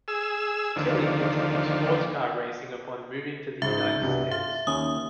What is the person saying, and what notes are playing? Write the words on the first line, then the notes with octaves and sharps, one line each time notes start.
Tilley continued sports car racing upon moving to the United States.
G#4 E6
D#2 D3 F3
C#2 G#2 E5
C2 G2 B2
F4 E5
D#2 C#4 D#6